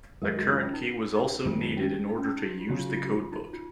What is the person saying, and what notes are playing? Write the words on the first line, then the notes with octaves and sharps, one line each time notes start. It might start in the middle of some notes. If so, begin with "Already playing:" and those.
The current key was also needed in order to use the codebook.
F#2 D#3 G#3 A#4
F#4
F4
C#4
D#4
D#4
F#2 D#3 G#3 C4 F4
D#4
C#4
D#4
C#4
D#4
D#4
F#4
F4
C#3 F#3 C#4 F#4
F4
F#4
F4
F#4
F4
D#4
F4